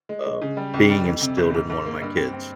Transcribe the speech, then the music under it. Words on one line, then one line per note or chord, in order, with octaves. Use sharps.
um, being instilled in one of my kids.
G#3
G#3
C#3
G3
C#2
G3
F2
C3
G1
G#2
G#2
A#3
G2
C4
C4